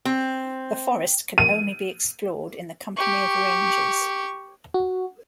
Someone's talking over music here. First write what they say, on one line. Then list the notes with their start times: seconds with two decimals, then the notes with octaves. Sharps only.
The forest can only be explored in the company of rangers.
0.05 C4
1.38 D#7
2.97 G4 C#6
4.74 F#4